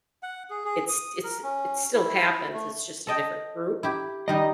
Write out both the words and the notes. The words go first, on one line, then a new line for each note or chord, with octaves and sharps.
it s it s it still happens, it's just a different group.
F#5
G#4
G#4
D#6
A#4
C#4
E4
A3
A4 D#5 G5
E4 G4
D#3 G3 A#4 D#5